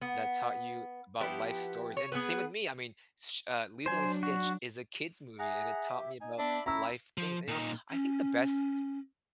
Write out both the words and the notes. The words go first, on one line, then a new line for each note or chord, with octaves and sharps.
that taught you about life stories and same with me. I mean, Sh uh, Lilo& Sitch is a kid's movie, and it taught me about life things and you know, I think the best
B3
F3 B3 E4 G4
C#5
B3 G#4 B4
F#3 D4 C5 G#5
F#4
G#4 E5 F#5 A#5
G4
D#4 D#5 G#5
B3 D4 D5 E5 B5
C#4 E4 A4 A#5 B5 C#6 E6
F3
A#2 D#4
C#4